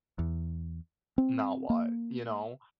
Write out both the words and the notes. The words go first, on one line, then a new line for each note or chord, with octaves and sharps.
now what, you know
E2
C4
A#3